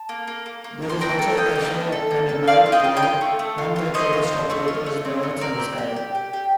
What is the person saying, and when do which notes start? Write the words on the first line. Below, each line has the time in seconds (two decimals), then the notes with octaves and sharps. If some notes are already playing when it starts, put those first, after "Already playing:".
There is also a cafe and night-tours run by tourist operators, Earth and Sky.
Already playing: A5
0.09 A#3
0.28 A#3
0.46 A#3
0.64 A#3
0.82 A#3
0.89 C6
1.01 D4 G5 A#5
1.19 A4
1.37 A#3 D#5 G5
1.55 A#3
1.74 D4
1.92 A4
2.11 A#3
2.29 A4
2.47 C4 D5 F5
2.66 F4
2.72 D#5 G5
2.84 F4
2.97 D#5 G5
3.03 F4
3.21 A3
3.39 A3
3.58 F4
3.76 F4
3.94 A3 C5 D#5
4.13 F4
4.31 F4
4.50 A3
4.68 F4
4.86 A3
5.05 C4
5.23 A3
5.41 C4 A#4 D5
5.60 G4
5.78 G4
5.96 G4
6.15 G4
6.33 G4